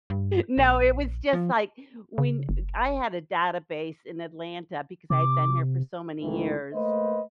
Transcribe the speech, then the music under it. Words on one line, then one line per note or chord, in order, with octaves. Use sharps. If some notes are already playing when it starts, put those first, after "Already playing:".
No, it was, just, like, when I had a database in Atlanta because I've been here for so many years
G2
A#1
F3
C#3
F#1
C3 D6
C#2 G#2 D#3 E3 A3 E4
A3 A#3 B4 C5 D#5